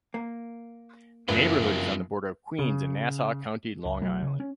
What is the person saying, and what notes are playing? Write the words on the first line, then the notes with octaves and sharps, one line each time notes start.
The neighborhood is on the border of Queens and Nassau County, Long Island.
A#3
F#1 F2 F#3 A#3 F4 B4
C#3
C#2
B1 F#3 A3
C#3
C#4